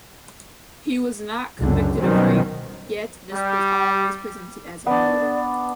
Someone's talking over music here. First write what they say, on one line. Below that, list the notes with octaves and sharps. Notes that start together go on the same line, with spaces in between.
He was not convicted of rape yet this was always presented as a motive.
C#2 F#2 D3
B2 D#3 F#3 G3 C4 C#4
G3
B3 D4 D5